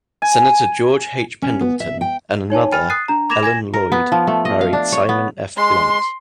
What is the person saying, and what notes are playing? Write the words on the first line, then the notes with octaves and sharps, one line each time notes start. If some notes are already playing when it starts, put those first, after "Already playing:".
Senator George H. Pendleton and another, Ellen Lloyd, married Simon F. Blunt.
G#5
C#4
B3
E5
G5
D#4 C#5 G#5 A5
G5 G#5 B5 F6 A6 D#7
D#6 F#6 A6 C7 D#7
D4 A#5
B5 D6 G#6 A#6 E7 F7
G#5 G#6 A#6 E7
A#4
B3
F3
A3
D#5
F5
D4
C#5
B3
G#3 C6